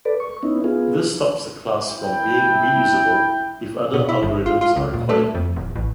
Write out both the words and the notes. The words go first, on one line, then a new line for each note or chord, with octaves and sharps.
This stops the class from being reusable if other algorithms are required.
A4 B4 D5
C#6
B3 C#4 D#4 E4
B3 F4 G#4
E4 G5
B2
E4
G1
F4
F4
C#2
A#2
A3
F2
D1
A1